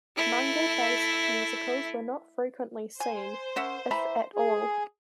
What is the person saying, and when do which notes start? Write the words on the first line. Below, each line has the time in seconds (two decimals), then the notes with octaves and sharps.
Manga-based musicals were not frequently seen, if at all.
0.17 A3 E4
3.00 C5 G#5
3.56 C#4 A#4 E5 F#5
3.91 E3 E5 A#5 B5
4.34 G#4